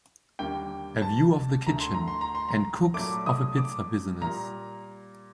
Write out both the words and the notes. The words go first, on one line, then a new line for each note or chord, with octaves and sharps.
A view of the kitchen and cooks of a pizza business.
D#2 D3 G3 A#3 G5
A5
D2 D3 A3 A#5
C6
A#5
C6
A#5
C6
A#5
A#2 F#3 A3 D6
D#6
D6
A#2 G3 A#3 A#5